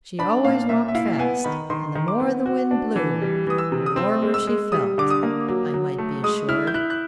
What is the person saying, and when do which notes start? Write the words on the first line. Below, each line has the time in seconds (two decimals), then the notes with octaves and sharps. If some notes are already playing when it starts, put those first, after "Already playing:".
She always walked fast, and the more the wind blew, the warmer she felt, I might be assured.
0.19 D4 B5
0.45 A#2 F5
0.69 A#2 E5
0.88 E5
0.94 E4 F5
1.19 B3 G#5
1.44 D#3 B5
1.70 D#3 C6
1.95 D#3
2.08 D6
2.20 B3
2.46 F#4
2.71 D4
2.96 E3
3.22 G3
3.47 E3 D#6
3.58 E6
3.72 C3
3.86 D#6
3.96 C4 E6
4.22 G#3
4.34 E6
4.47 G#3
4.72 G3 D#6
4.98 D3 D6
5.10 D#6
5.23 A#3
5.48 F#3
5.74 F#3
5.98 A3
6.23 G#3 D#6
6.49 E4 F6
6.67 G6
6.74 E4 F#6
6.90 F#6